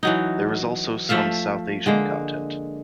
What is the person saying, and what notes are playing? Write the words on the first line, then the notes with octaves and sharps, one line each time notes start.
There is also some South Asian content.
E3 F#3 D#4
F3 A3 E5 F5
D3 G#3 A#3